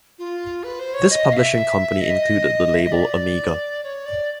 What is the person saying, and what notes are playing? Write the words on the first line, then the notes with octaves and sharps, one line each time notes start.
This publishing company included the label Amiga.
F4
B4
C5
C#5
D#5
F5
E5
D#5
E5
D#5
D5
C#5
D5